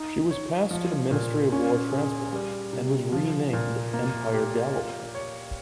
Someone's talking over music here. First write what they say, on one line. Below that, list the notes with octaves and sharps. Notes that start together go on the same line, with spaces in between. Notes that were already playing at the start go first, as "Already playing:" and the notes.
She was passed to the Ministry of War Transport and was renamed "Empire Galway".
Already playing: D#4
C#5
F3
A#2
C#4
G#4
G3
C3
F3
A#2
A#3
G4
F4
C#5